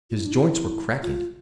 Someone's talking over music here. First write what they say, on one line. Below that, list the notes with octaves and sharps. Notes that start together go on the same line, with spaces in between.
His joints were cracking.
F4
E4
D4
E4
F4